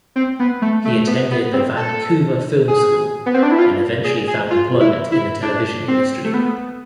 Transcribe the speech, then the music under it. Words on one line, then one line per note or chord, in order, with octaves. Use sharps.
He attended the Vancouver Film School and eventually found employment in the television industry.
C4
B3
A3
A3
B3
B3
C4
A4
G#4
B3
C4
D4
E4
F4
G#4
G#4
F4
E4
E4
D4
C4
A3
B3